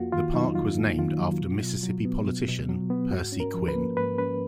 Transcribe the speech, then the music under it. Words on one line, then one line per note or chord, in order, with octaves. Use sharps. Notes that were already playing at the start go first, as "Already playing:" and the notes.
The park was named after Mississippi politician Percy Quin.
Already playing: F2 A#3 F4 F#4
D#3 F4
F#3 D#4
F2 F4
A#3
D#3 F4
F#3
B2
B2
F#3
B3
B2
B2
F#3
B3
G#2 F#4
C#4
A#4
F3
B4
A#3
G#2 B4
C#4 B4